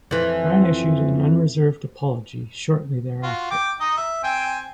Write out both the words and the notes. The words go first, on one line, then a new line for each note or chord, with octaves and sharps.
Brown issued an unreserved apology shortly thereafter.
F2 E3
F4 F#4
G5 D6
D#4 D#5
E5
C4 G5 G#5